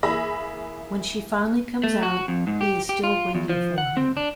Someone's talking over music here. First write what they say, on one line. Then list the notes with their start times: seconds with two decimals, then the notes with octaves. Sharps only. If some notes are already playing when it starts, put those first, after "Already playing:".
When she finally comes out, he is still waiting for her.
0.03 E3 A#3 G#4 E5 B5 A#6
1.84 A3
2.03 F#4
2.28 F2
2.47 G#2
2.61 G4
2.89 G4
3.04 F4
3.35 E2
3.49 F3
3.78 F#5
3.97 C4
4.17 D4